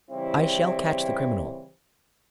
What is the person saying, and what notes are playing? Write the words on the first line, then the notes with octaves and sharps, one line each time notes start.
I shall catch the criminal.
C#3 E3 G3 C4 E4